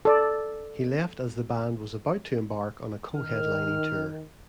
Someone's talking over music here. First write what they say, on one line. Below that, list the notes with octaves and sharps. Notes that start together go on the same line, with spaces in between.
He left as the band was about to embark on a co-headlining tour.
A4 D5
D#3 F6